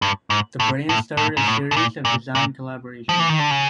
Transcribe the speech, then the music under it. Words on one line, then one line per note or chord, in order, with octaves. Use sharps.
The brand started a series of design collaborations.
G2
G#2
A2
A2
A2
G#2
A2
B2
A#2
A#2
A#2
F3
E3
D#3
D3
C#3